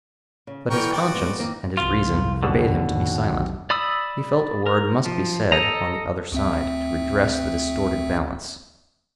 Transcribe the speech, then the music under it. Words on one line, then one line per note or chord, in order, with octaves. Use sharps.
But his conscience and his reason forbade him to be silent; he felt a word must be said on the other side to redress the distorted balance.
C#3
D3 E3 C4 A#4 G5 C#6
F#4 D5 G5
G#3 B3
D#3 A#3 C4
C2 F2 F4
D#2 B2 D3
A1 F2 G#2
B1 C3
D5 B5 D#6 E6
A#4
F3
A4 D#5 A#5
D2 C4 E5